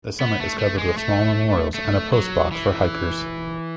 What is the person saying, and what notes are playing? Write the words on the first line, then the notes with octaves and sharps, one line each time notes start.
The summit is covered with small memorials and a postbox for hikers.
B3
A3
A3
G#3
A3
A3
F#3
E3